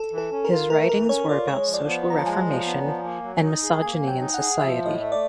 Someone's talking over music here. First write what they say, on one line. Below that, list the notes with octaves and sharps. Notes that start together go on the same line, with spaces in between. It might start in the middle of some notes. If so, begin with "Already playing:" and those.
His writings were about social reformation and misogyny in society.
Already playing: A4
E3
A4
C#4
A#4
F4
A3 A#4
E3 A#4
C#4 C#5
F4 D5
G#3 C#5
F3
D5
B3
F3 A#5
A5
G#3 G#5
F3
B3
F3
A#3
F#3
D#4
G#4
A#3 G#5
F#3
G5
D#4
F#5
G#4
F3 E5
A2
D#5
A3
D5